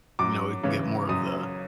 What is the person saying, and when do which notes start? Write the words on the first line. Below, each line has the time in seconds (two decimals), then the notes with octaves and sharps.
you know, we can get more of the
0.19 F#2 D6
0.63 C#3 E3
1.09 F#2 D#6